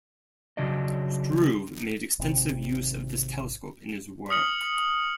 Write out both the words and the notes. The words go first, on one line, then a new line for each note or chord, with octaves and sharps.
Struve made extensive use of this telescope in his work.
C#3 F#3 D4 D5 D#5
G#1 C3
D#6 F6 C#7 F#7